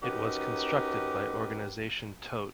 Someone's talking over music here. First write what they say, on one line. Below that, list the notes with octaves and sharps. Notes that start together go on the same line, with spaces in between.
It was constructed by Organisation Todt.
C#4 D#4 F#4 G4 A#4 B4